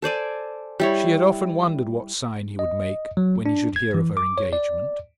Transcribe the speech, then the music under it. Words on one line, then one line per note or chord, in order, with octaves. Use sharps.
She had often wondered what sign he would make when he should hear of her engagement.
A4 C5 D5 G#5
G3 E4 C#5
D#5
F#3
D4
G#6
E3
D6
C#5
D5